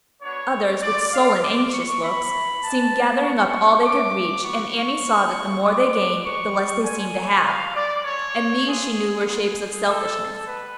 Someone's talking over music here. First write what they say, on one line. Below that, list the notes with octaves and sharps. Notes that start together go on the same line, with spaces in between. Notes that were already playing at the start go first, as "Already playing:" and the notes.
Others, with sullen, anxious looks, seemed gathering up all they could reach, and Annie saw that the more they gained, the less they seemed to have; and these she knew were shapes of Selfishness.
B3 D4 F#4 C#5
A3 C#4 F4 D5
F5
A3 D4 F4 D6
C#6
B3 F#4 B5
G#3 B3 D4 A5
B3 F#4 C#6
A3 C#4 F#4 D6
B3 F#4 C#6
B3 F4
G#3 B3 F#4 D6
G#3 C#4 F#4 C#6
G#3 C#4 F4 G#5
A3 F4 F5
D5
A3 C#4 F4 C#5
A3 D4 F4 G#4
B3 F4 G#4
B3 F4 A4
B3 B4